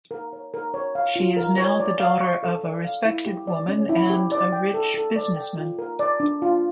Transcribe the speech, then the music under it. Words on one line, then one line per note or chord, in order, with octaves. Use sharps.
She is now the daughter of a respected woman and a rich businessman.
A#4
C#5
A#4
C#5
F5
F4
A#4
C#5
D5
F5
C#6
A4
D5
F5
E4
G4
D5
C#4
E4
G4
D5
G5
A4
A4
D5
G5
F4
A#4
D5
D4
F4